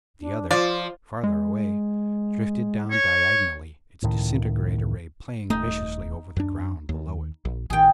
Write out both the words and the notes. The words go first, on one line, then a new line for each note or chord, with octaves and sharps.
The other, farther away, drifted down diagonally, its disintegrator ray playing viciously over the ground below it.
D4
F3 F4 D5
G#3
C#5
C#2 A2 D#3
D#1 A3 D#4
F#2 D4
D#2
A#1
A1 D#3 G#4 G5